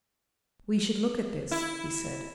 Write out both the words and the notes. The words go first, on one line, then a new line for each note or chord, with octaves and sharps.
"We should look at this!" he said.
E4